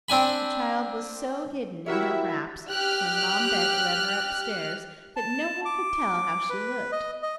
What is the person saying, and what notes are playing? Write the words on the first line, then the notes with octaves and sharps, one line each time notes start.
The child was so hidden in her wraps when Mom Beck led her up-stairs, that no one could tell how she looked.
C4 D4 G#5 B5
E4 F#4 G4 A#4 C#5 E5
G4 F6 F#6
A5
D6
B4
D#5
D#5